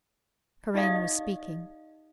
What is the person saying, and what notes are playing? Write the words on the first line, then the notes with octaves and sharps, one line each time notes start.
Karain was speaking.
D#4 G4 D5 D#5 F5 D#6